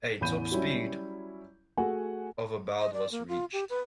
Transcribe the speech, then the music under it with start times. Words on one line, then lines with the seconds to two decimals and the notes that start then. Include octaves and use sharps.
A top speed of about was reached.
0.21 A1 E2 B5 G6 D#7
0.52 F#3 G3 C#4 E4
1.77 A3 F#4 G#4 F#5 G#5
2.78 D#5
2.93 D5
3.12 A#3
3.28 F4
3.53 G4
3.70 B4